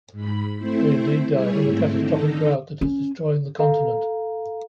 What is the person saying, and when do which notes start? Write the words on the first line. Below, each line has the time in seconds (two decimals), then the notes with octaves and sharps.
They indeed die in the catastrophic drought that is destroying the continent.
0.12 G#2 B5
0.58 A3 C4 E4 C5
1.31 G3 E4 G#4 C#5
1.63 G#2 A3 C4 E4
1.95 D3 D#3 D#4 A4
2.81 C#4
3.59 A4 F5 A#5